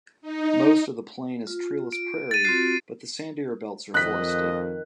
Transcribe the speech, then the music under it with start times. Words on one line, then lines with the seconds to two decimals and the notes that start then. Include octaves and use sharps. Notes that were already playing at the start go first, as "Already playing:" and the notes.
Most of the plain is treeless prairie, but the sandier belts are forested.
0.21 D#4
1.47 F4
1.92 D7
2.31 A6 D#7
2.44 C4 F4 F#4 A6 C7 D#7
3.94 F2 D#3 D#5 F#6 B6